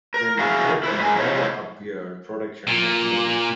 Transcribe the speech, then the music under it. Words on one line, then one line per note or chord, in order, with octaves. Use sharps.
When the threat never appeared production was limited.
A#4
E4 F#4 G#4 F5
E4 B4 C5
G#3 A#4 G#5
G#3 E4 F4 A4 C5 C#5
A#2